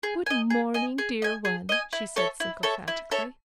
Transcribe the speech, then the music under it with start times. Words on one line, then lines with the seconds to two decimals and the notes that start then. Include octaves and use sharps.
"Good morning, dear one," she said sycophantically.
0.03 G#4
0.26 D#5 G#5
0.50 G#4
0.74 D#5 G#5
0.98 G#4
1.22 D#5 G#5
1.45 G#4
1.69 D#5 G#5
1.93 E4
2.16 A4 C#5 E5
2.40 E4
2.63 A4 C#5 E5
2.88 E4
3.11 A4 C#5 E5